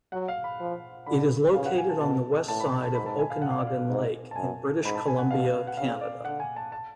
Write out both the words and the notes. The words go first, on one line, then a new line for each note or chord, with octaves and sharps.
It is located on the west side of Okanagan Lake in British Columbia, Canada.
F#3 F#5
F5
B5
F3
D3 B5
C#3 F5
F#5
G#5
A5
B2 A5
A2 A5
B5
A5
A5
G#2 B5
A5
G#5
F5
F#5
F5
D5
F5
G#2
A5
F#2 G#5
G#2 B5
A5
G#5
F#5
B2 F5
F#5
C#3 F5
D5
D3 F#5
G#5
A5
A5